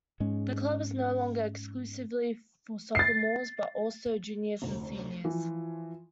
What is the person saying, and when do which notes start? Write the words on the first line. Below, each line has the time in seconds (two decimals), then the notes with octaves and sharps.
The club is no longer exclusively for sophomores but also juniors and seniors.
0.20 G#2 G#3 C#4
2.95 A6 C7
4.62 F1 D2
5.24 E3 F3